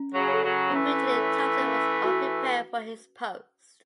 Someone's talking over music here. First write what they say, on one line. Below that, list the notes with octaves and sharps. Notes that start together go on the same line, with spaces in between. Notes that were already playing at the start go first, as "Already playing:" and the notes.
Reputedly Thompson was unprepared for his post.
Already playing: C#4
C#3 F#3
A4 C#5
C#3 F#3
E3 A3 C#4
A4 C#5
C#4
F#4 B4